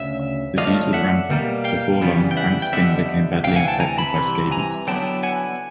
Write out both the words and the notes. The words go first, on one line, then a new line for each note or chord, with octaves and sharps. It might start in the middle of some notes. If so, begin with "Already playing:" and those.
Disease was rampant; before long, Frank's skin became badly infected by scabies.
Already playing: D2 C#3 E5
D3 F#3 A3 D4 F4 D#5 F5
E5 F#5
B2 G3 A#3
F5 G5
E2 C#3 E3 G3 B3
G5
E5 F#5
G5
F2 D3 G3 B3 E5 F#5
D2 C3 E3 F5 G5
F#5 G#5
G5 A5
G#5 A#5
A5 B5
C2 C3 E3
G#5 A#5
D3 F#3 B3 E4 G5 A5
F#5 G#5